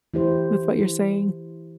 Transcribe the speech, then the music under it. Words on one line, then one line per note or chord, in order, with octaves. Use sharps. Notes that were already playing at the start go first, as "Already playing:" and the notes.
with what you're saying.
E3 A3 E4 G4 C5